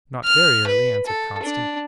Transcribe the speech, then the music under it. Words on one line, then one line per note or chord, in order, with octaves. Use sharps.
"Not very early," answered Constance.
F6
B4
A4
D4